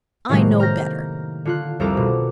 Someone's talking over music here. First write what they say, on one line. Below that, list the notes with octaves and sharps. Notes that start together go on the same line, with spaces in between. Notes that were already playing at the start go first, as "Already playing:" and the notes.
I know better.
A2 C3 D#3 F#3 G#3 A#3
A#5 F6 G6 A#6
D3 F4 F#6
C2 F2 A4 A#4 A#5 D6
B2